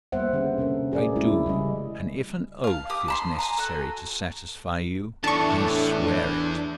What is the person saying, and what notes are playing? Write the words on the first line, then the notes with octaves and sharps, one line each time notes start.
"I do; and if an oath is necessary to satisfy you, I swear it."
G3 A#3 B3 C5 E5 F#5
D3 C#4 G#4
C3 C#4 A4 A#4
F#4 G#4 A#4 D5
G#3 A3 C#4 E4
C#3 G3 G#3 D#5
F5 A5
G4 D#6
A5 B5 C6
G#5 A#5
F#4 A4
E2 A2 A3 D4 A5 C#6